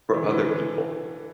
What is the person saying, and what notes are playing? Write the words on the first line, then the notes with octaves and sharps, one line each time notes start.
for other people,
E3
D3
E3